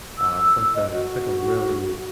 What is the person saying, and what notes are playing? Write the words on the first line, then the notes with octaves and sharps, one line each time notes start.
Uh, it's like a it's like a really,
E6
D#5
F#4